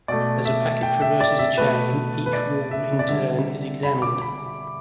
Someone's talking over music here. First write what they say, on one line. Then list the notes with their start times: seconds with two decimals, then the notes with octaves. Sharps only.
As a packet traverses a chain, each rule in turn is examined.
0.08 B2 A3 D5
0.45 E5
0.83 G5
1.01 E5
1.21 D5
1.39 E5
1.58 B2 A3 B4
2.26 B4
2.33 D5
2.71 E5
2.99 D5
3.08 D3 G3 E5
3.83 B5
3.98 B5
4.02 D6
4.22 B5